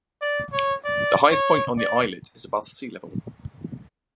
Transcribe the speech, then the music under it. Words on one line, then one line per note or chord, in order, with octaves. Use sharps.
The highest point on the islet is above sea level.
D5
C#5
D5
C#5
D5